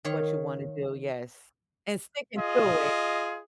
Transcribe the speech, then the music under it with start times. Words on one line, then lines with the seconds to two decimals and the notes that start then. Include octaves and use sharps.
What you wanna do. Yes, and sticking to it.
0.05 D#3 C#5 F5
2.37 F4 G#4 D#5